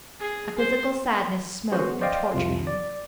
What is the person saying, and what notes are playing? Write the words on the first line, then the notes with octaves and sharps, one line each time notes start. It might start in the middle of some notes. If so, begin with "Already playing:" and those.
A physical sadness smote and tortured him.
G#4
C5
B3 C#4 F#4 G#4 C5
C5 D5 D#5 F5 G5
C2 F2 C3 F4
D5